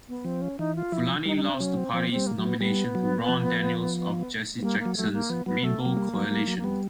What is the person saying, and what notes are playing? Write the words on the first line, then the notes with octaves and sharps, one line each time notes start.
Fulani lost the party's nomination to Ron Daniels of Jesse Jackson's Rainbow Coalition.
B3
F3 C4
C#4
E3 D#4
F4
F3 E4
G3 D#4
D#4
D4
C4
F#3 C#4
C4
F3 C4
C4
G3
A#3
F#3
B3
G3 B3
F#3
F3
B3
G3 A#3
A#3
F#3
F#3 A3
G3
A#3
F3 B3
F#3 B3
F#3 A3
A#3
F#3
G3
F#3
G3
F#3
A#3
G3 B3